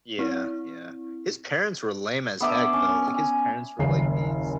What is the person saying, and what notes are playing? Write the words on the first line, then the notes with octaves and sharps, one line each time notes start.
Yeah. Yeah. His parents were lame as heck, though. Like, his parents were, like, these
C4 E4
B3 D4 E5 D6
C#4
G#5
F#1 D#2 C#4 C7